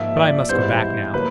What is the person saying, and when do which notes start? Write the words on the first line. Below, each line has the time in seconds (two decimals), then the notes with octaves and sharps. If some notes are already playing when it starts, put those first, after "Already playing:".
But I must go back now.
Already playing: G#2 F3 A#3 E5
0.17 D5
0.49 G#2 E3 G3 B3 C5
1.14 F#3 A#3 B4